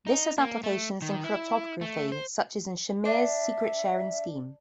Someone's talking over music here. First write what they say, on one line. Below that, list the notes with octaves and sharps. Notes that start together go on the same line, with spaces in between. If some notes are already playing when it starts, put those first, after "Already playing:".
This has applications in cryptography, such as in Shamir's Secret Sharing scheme.
D#4
A#3
A3
D#3
E4
A3
C5
D4 E5